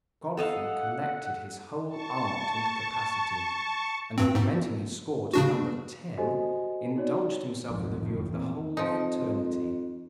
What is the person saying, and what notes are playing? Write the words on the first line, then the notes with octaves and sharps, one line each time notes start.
Godfrey collected his whole art and capacity, and, augmenting his score to number ten, indulged himself with a view of the whole fraternity.
A4 D#5 F5 F#5
A5 C#6
G2 C4
G#2
C#3 D4 F#4
F#4 G4 A4 C5 D#5 G#5
D#4 F#4 C#5 D5
B1 F2 G#2
F#1 F2 A2 D#3
E2 A#2 C4
F2 F3 D#4